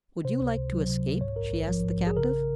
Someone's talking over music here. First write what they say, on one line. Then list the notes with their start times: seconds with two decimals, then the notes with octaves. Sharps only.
"Would you like to escape?" she asked the captive.
0.25 C3 C5
0.41 C#2
0.57 C#2
0.73 F#3
0.89 C3
1.05 C#2
1.21 G#2 C#5
1.36 A#1 A#4
1.53 A#1
1.68 F3
1.85 G#2
2.01 A#1
2.07 G#4
2.17 C#3 A#4